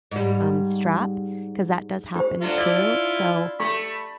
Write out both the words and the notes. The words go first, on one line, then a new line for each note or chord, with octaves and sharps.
um, strap, 'cause that does happen too, so,
G#2 G3
G4 C5
F#3 A3 D4 F4
E4 D5
A3 G4 B5 C#6